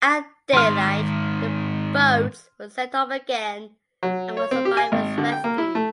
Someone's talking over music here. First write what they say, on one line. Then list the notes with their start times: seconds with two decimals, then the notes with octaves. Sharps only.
At daylight the boats were sent off again and more survivors rescued.
0.53 G#2 D#3 C6 F6
4.03 F#3
4.37 C#5
4.51 C4
4.65 G4
4.77 G#5
4.92 G#1
5.18 D3
5.32 G5
5.44 A#3
5.58 E4
5.75 A3